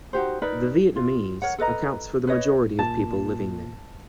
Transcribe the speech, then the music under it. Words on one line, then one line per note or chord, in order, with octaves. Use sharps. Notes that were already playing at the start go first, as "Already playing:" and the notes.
The Vietnamese accounts for the majority of people living there.
D#4 F#4 G4 C5
D#4 A#4 B4 D5
F4
A#4 C#5 F#5
A4 B4 D#5 A#5
B4 C#5 D#5
A#2 A5